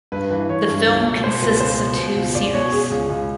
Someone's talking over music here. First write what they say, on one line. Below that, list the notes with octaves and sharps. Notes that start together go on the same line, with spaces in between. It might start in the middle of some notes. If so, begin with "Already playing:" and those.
The film consists of two series.
G2 B4
E3 B4
E3 C#5
G2
C#2
B2
B2 C5
C#2 B4
C#2 C5
B2
B2
C#2
C#2 D5
B2 C#5
B2 G#4
C#2
C#2